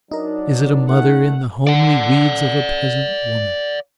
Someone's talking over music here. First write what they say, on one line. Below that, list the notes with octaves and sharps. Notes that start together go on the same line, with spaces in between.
Is it a mother in the homely weeds of a peasant woman?
F#3 D4 D#4 A#4
A#2 A3 F#5
D5 F#5